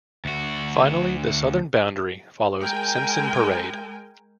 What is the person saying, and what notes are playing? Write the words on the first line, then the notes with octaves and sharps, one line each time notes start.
Finally the southern boundary follows Simpson Parade.
D2 F#4
G#3 A#4 G5 G#5